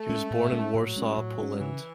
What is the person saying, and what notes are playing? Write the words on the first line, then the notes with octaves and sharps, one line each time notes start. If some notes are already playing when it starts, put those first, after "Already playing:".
He was born in Warsaw, Poland.
Already playing: A3
G#3 C#4
A2
G#3 C#4
A2 F#3
G#3 C#4
A2
G#3 C#4
C#3 E3